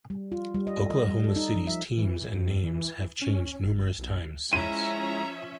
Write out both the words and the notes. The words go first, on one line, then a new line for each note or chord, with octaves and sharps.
Oklahoma City's teams and names have changed numerous times since.
G3
F4
G3
D#5
A4
D#5
G3
A4
D#4
F3
E5
E3
F2
E3
C#4
F#1
B1
F3 G#3 C#4 E4 E5 A#5 C6 D#7